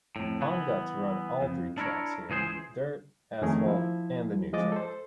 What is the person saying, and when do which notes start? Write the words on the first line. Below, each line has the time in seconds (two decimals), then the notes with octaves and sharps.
Pond got to run all three tracks here-dirt, asphalt and the new track.
0.16 F2 A2
0.41 E3 B3
1.42 F2
1.78 D4 E4 A#4 C#5
2.30 C#2 E3 G#4 C5
3.42 F2 D#3 A3 C#4 G#4 A#4
3.66 F3 E4
4.53 F3 G#3 D#5 D6 A6
4.72 A4 C5